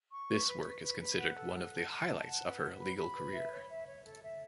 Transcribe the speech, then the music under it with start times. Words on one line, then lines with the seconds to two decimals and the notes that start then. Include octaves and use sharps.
This work is considered one the highlights of her legal career.
0.12 C#6
0.30 B4
0.47 B4
0.65 B4
0.83 B4
1.01 B4
1.19 F#5
1.36 A4
1.55 F#5
1.72 A5
1.90 F#5
2.08 A5
2.26 F#5
2.44 B4
2.62 B4
2.79 B5
2.97 B5
3.15 B4
3.33 E5
3.51 C#5
3.69 E5
3.87 C#5
4.05 A4
4.22 E5